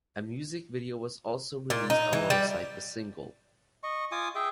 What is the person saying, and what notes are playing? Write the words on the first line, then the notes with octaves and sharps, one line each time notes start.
A music video was also released alongside the single.
A#2
D#4
E3
G3
D#5 C#6
F4 G#5 D6 D#6
G#4 E5 G5